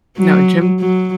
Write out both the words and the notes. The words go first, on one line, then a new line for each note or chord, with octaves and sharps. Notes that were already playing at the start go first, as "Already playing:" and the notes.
No gym
F#3
F#3